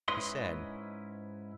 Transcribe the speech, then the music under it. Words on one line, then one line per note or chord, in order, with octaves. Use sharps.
He said...
G#2 C#4 E4 B4 D#5 C6